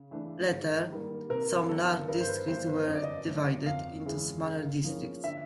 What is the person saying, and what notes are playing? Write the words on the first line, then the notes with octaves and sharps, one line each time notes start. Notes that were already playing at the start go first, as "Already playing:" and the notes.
Later, some large districts were divided into smaller districts.
Already playing: C#3
E3 A3 D4
G#2
D#3 G3 A#3
C3 A#4
D#3 F#3 B3 A4
G2 A#4
C5
B4
E3 G3 B3 C5
B4
F#2 D#5
D5
D#5
D#3 F#3 A3
F2 F5
C#3 E3 G#3
C#3
F3 A#3 C#4
D3 E5